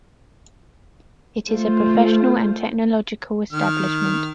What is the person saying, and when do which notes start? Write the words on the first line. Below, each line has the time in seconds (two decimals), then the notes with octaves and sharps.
It is a professional and technological establishment.
1.49 A3 F4 C5
3.52 D#3 F6